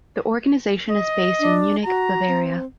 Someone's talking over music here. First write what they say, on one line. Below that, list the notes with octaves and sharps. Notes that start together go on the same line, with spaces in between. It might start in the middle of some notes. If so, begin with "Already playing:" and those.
The organization is based in Munich, Bavaria.
D#5
D4
F#4 A#5
C4